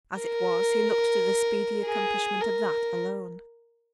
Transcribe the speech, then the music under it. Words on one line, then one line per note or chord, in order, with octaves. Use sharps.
As it was, he looked to the speedy accomplishment of that alone.
A#4
G#4
A#4